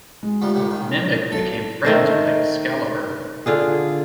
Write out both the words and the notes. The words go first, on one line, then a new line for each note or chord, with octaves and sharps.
Mimic became friends with Excalibur.
G#3
D2 F3 G3
C2 A2 C3
D#3
B1 A4
D#3 A3 C5
D3 F4 G#4